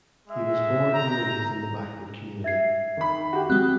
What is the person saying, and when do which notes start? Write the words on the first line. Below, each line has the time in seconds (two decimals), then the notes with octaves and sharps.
He was born and raised in the backward community.
0.29 G#3 E5
0.93 G5 A#5
2.44 E5 G#6 C7
2.97 D#3 B5
3.33 F#4 G4
3.50 G#3 C4 F#6